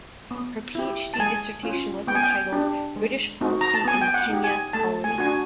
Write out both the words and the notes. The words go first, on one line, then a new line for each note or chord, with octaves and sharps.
Her PhD dissertation was entitled "British policy in Kenya Colony".
B3
E4 G4
A5
G#3 G#5
C#4 F4
B3 G5
G#5
G5
D4 G4
G#3
C4 D#4 F#4
A#5
A5
B3 G#5
G5
F#5
D#4 G4
G#5
A3 A5
G#5
D4 F#4 G#5